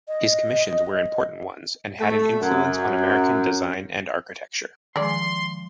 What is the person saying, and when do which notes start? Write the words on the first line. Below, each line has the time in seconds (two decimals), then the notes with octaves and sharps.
His commissions were important ones and had an influence on American design and architecture.
0.08 D#5
2.00 A3
2.41 F#2
4.96 D#3 F3 G#3 G#4 D5 C6